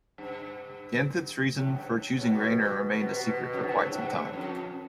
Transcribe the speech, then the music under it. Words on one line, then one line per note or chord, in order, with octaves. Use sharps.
Ganthet's reasons for choosing Rayner remained a secret for quite some time.
G2
A2
F2
G2
G2
A2
B2
B2
C3
B2
B2
F2
G2
A2
G2
F2